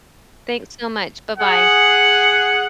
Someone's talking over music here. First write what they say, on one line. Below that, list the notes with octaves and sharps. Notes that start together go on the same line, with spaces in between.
Thanks so much. Bye bye.
G#4 F#5